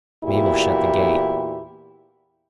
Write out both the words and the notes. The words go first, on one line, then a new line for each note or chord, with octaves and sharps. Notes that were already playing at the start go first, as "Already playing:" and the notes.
Mabel shut the gate.
E2 A#2 E4 F#4 G4